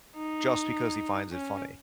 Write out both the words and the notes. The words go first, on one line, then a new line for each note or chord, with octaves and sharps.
just because he finds it funny.
D#4
C#4